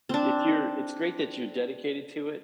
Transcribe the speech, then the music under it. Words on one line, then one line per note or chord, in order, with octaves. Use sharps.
if you're it's great that you're dedicated to it,
C4 D4